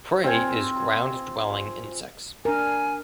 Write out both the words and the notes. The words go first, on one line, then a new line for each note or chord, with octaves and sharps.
Prey is ground dwelling insects.
C4 F4 G#5
D4 A#4 G#5